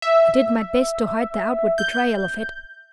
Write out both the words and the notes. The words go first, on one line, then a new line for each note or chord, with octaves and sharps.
I did my best to hide the outward betrayal of it.
E5
G6